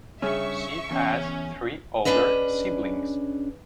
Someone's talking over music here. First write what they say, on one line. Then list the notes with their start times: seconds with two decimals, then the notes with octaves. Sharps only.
She has three older siblings.
0.22 G2 C#3 C#4 E5 C#6
0.91 E2 C#4
2.05 C#4 D4 G#4 B4 D#5